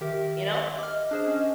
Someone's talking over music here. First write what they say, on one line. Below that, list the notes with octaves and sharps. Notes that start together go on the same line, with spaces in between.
You know?
D#3 G4 A#4 E5
D#5 D6 F6
D4 G#4 C5
C#4